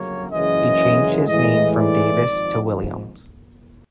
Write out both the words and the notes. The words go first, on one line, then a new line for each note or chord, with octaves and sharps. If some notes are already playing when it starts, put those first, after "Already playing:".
He changed his name from Davis to Williams.
Already playing: G1 F#2 C#3 F#3 A#3 C#5
F#1 F#2 C#3 E3 G#3 D#5
A2 E3 G#3 D#5
D5
G#1 G#2 F3